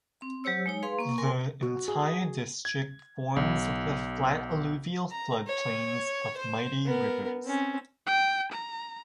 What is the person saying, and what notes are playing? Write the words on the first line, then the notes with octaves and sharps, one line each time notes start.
The entire district forms the flat alluvial flood plains of mighty rivers.
C4
F#3 G4 C5 C#5 E6
G#3 D#4 C#5
G#4 B4 F5 C6
A#3 C#6
A#4 G#5 C6
F#4
G#4
G#6
B1
A#5
C#5
C5
B3 A#4
C4 C#4
G5
A#5